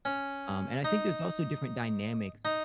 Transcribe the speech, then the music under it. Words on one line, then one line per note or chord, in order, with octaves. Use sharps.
um, and I think there's also different dynamics,
C#4
D#4
D#4